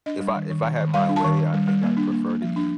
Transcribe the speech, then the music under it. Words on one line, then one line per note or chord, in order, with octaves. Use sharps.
if I if I had my way, I think I'd prefer to eat
D4 D#5
G3
D#3
D#3
D#3
D#3
G3 F5
D4
A5
D#3
D#3
G3
G3
A#3
D4
A#3
A#3
F3
D4